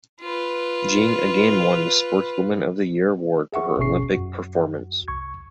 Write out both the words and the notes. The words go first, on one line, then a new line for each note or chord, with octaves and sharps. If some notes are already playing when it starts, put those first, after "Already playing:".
Jing again won the Sportswoman of the Year award for her Olympic performance.
F4 B4
G#4 E5 F#5 C#6
G1 B2 C#4 G#4 C#6 C7
F#2 F#4
C2 C#6 G#6